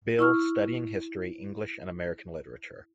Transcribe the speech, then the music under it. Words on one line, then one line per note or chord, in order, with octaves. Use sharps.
Bill, studying history, English and American literature.
E4 C#6 F6